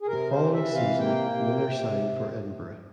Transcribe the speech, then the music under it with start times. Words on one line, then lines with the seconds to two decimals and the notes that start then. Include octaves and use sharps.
The following season Miller signed for Edinburgh.
0.01 G#4
0.07 C3 A#4
0.30 C5
0.38 E3
0.53 E5
0.69 C3
0.76 F5
0.99 A#3 G5
1.30 C3
1.60 C3